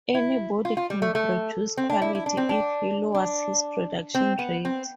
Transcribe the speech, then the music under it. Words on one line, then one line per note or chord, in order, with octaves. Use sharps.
Anybody can produce quality if he lowers his production rate.
E4
F4
F4
G3
A3
A3
C4
D4
E4
E4
D4
C4
D4
D4
C4
B3
C4